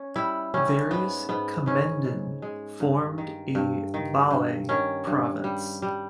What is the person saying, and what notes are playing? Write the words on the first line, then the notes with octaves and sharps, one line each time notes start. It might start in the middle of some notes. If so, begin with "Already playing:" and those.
Various "Kommenden" formed a "Ballei" province.
Already playing: C#4
G3 E4
G3 C#4
G#2 B3
G#2 B3
G#2 C#4
G#2
G#3
G2
D#3
G2
D#3
G2
D#3 C#4
G2
G3
G3